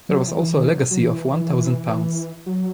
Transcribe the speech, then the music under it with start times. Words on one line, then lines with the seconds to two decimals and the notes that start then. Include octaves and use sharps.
There was also a legacy of one thousand pounds.
0.09 F#3
0.28 E3
0.37 F#3
0.42 D#3
0.45 E3
0.54 D#3
0.64 E3
0.73 F#3
0.91 F#3
1.01 E3
2.46 F#3